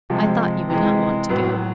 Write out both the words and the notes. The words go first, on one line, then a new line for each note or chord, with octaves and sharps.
I thought you would not want to go.
C3 F3 G#3
C3 E3 G#3
A2 F#3 B3